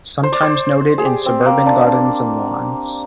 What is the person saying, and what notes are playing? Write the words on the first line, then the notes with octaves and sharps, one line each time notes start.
Sometimes noted in suburban gardens and lawns.
C5
D5
C5
G#4
G4
C4
A#3
D4
D4